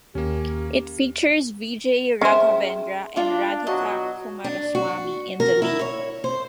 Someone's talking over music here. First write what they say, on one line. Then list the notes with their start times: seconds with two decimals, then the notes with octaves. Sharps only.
It features Vijay Raghavendra and Radhika Kumaraswamy in the lead.
0.15 D#2 A#3 C#4 G4
2.21 C#4 G#4 C5 E5 G5
3.16 D4 F4 D5
3.67 B2 F#3 F#4 D#5
4.44 D4
4.75 F#4
5.40 A#4
5.62 E4
5.81 C#5
6.24 C5